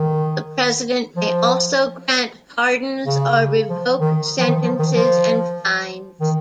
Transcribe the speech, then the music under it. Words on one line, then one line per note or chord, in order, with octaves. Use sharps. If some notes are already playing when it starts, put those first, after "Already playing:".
The president may also grant pardons or revoke sentences and fines.
Already playing: D#3
F3
C#3
F3
D#3
F3
D#3
F3
D#3
F3
D#3